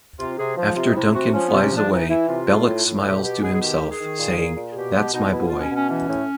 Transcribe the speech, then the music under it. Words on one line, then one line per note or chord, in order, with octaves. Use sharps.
After Duncan flies away, Belloc smiles to himself, saying, "That's my boy".
C3 F4
C3 G#4
F3
C3 F4
D#4
C3 E4
C3 F#4
F3 C#4
C3 B3
C#4
F3 D4
E3 D#4
E3 E4
C3 F4
A2
A2
A2
B2 G4
B2 G4
B2 G#4
G#4
D#3 G4
D#3
G#4
D#3
A#2
A#2
A#2
G#4
B2 G4
B2 G4
B2 D#4
B2 E4
F4
B2
C#4
B2 C#4
E3 C#4
A2